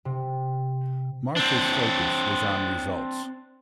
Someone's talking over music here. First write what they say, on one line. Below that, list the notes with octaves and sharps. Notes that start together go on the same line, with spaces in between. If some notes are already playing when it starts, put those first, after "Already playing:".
Marshall's focus was on results.
C3
C4 D4